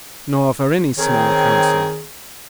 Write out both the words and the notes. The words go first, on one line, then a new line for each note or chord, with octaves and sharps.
Nor for any small Council.
D#3 C4 G#4 C#5